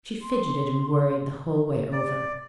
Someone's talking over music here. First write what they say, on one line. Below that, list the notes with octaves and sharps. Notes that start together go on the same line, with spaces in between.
She fidgeted and worried the whole way over.
C6
D5